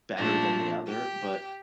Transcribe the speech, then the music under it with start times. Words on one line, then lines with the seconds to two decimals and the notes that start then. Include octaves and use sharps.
better than the other, but
0.17 A#2 F3 A3 D4
0.84 G4